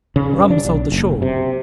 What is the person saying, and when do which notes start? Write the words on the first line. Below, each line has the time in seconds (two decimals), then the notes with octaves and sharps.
Rum sold the shawl.
0.16 C#3
0.33 G2
0.50 D4
0.65 B1
0.92 F#1
1.22 C3